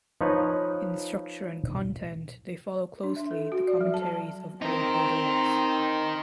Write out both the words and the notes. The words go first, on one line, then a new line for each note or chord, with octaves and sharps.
In structure and content they follow closely the commentaries of Olympiodorus.
F3 D#4 B4 C#5
D4
E5
A4
F#4
D5
F#3
A5
A5
C4 D#4 A#4